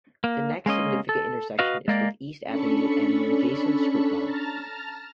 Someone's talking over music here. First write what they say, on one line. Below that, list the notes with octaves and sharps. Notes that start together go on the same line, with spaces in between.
The next significant intersection is with East Avenue and an adjacent stripmall.
A#3
G#3 A#3 C#4 D#5
A4
F#4 B4 D#5 F5
G#3 A#3 D5
C#4 D4 A4 B5 C#6 C#7
A5 A#5 F6 A6